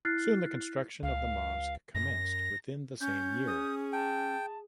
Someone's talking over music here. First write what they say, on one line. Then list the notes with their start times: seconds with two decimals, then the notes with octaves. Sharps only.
Soon the construction of the mosque commenced within the same year.
0.05 E4 F6 F#6 A6 C7
1.03 C#2 F5
1.95 F#2 A#6
3.01 C#4 G6
3.48 G#4 D#6
3.93 G5 A5